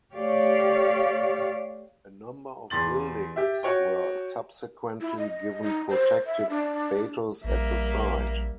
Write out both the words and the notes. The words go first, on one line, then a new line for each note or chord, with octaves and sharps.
A number of buildings were subsequently given protected status at the site.
A3 G4 C#5 D5 F5
E2 C6 A6 F#7
G4 E5
F#4 C#5 G5
E4
D#5
D#4
C5
E5
D4
A#1 G3 A#3 E5